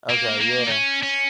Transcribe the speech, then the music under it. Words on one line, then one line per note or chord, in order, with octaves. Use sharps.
Okay, yeah.
A#3
A#3
D#4
C#4
C#4